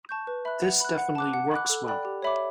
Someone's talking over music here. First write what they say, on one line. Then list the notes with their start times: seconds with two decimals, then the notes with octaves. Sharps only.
This definitely works well.
0.09 A5 C#6 G6
0.27 B4
0.45 E5 B5 F#6
0.62 F#5
0.80 B5 F#6
0.98 F#5
1.15 A5 D6 F#6
1.33 F#5
1.52 B5 D6 F#6
1.69 A4
1.88 D5 G5 B5 F#6
2.05 G4
2.22 C#5 E5 B5 D6